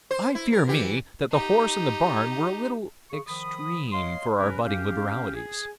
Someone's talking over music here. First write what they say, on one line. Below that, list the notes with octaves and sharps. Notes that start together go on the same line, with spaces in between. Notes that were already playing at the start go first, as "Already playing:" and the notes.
I fear me that the horse and the barn were a little extreme for our budding liberalities.
C5
E4
A#4
E3 G4
D#4 G4
C#3 C#6
D#3 F3 B5 D#6
C#5 D#5 F5 C6
C3 F#3 C#4 A#4 B4
C#4 G4 F5
G#4